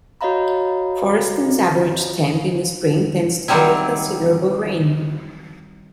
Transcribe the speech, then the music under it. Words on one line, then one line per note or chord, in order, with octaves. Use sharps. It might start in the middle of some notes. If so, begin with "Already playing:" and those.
Forreston's average temp in the Spring tends to be with considerable rain.
F#4 C#5 D#5 F5 A#5 B5
D#3 F#3 G3 C4 E4